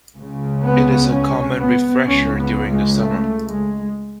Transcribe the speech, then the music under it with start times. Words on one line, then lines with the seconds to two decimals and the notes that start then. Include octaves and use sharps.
It is a common refresher during the summer.
0.16 C#2 C#3
0.64 B3
1.11 C#4
1.58 B3
2.05 C#2 C#3 C#4
2.37 B3
2.69 G#3
3.01 A3
3.49 G#3